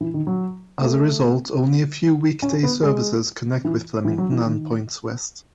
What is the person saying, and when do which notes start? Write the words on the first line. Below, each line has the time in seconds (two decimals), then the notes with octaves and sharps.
As a result, only a few weekday services connect with Flemington and points west.
0.01 E3
0.14 D#3
0.27 F#3
0.81 A3
2.42 C#4
2.63 B3
2.83 G#3
3.65 E3
4.05 E3
4.18 F#3
4.32 E3
4.46 D#3